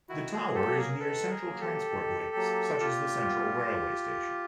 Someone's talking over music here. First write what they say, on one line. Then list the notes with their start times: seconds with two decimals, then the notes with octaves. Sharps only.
The Tower is near central transport links such as the Central railway station.
0.09 D#3 E4 F#4
0.32 F#4 G#4
0.54 F#3 A#3 G4 A4
0.76 G#4 A#4
0.93 A#4
0.99 D#3 A4 B4
1.29 G#4 A#4
1.45 F#3 A#3
1.60 G4 A4
1.90 D#3
2.35 F#3 A#3
2.80 A#2 F4 G4
3.25 G3 B3